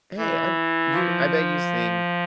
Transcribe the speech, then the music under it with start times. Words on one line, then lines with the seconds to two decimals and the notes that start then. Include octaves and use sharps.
Hey, I'm you I bet you sing
0.17 E3
0.92 F3